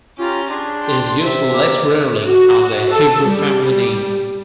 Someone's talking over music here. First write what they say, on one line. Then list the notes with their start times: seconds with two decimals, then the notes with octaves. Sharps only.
It is used less rarely as a Hebrew family name.
0.18 C#4 F4 G4 A#5
0.50 D4 G#4 C6
0.82 G5
1.23 C3 E5
1.53 A#3 D6
2.25 F#4
2.91 A4
3.27 G3